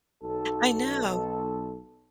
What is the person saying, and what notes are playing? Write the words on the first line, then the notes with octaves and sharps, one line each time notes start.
I know,
B1 A4